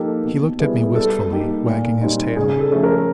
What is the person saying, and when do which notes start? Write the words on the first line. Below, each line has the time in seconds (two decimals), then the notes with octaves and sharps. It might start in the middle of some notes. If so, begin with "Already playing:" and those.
He looked at me wistfully, wagging his tail.
Already playing: F3 A#3 D#4 G4 A4
0.24 B2
0.60 G3 B3 E4 G#4
0.95 G3 A4
1.31 A#3 D#4 G4
1.66 A#2
2.01 G3 C4 D#4
2.36 C#3 G#4
2.60 A4
2.72 F3 A3 C#4
2.83 A#4